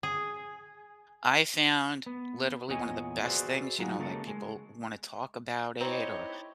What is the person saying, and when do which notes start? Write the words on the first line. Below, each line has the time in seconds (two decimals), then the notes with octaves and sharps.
I found literally one of the best things, you know, like people wanna talk about it or
0.03 G#4
2.06 B3
2.69 E2 A#2 C#5 D#5 G#5
3.24 F#4 G#4 B4 C5 D5 E5
3.78 F#3 D#4 F4 F#4 G#4
3.99 C#3 G#3 A#3 C#4 A4 C#5
4.28 G#3
5.81 C4 D#4 E4 G4 C#5 D#5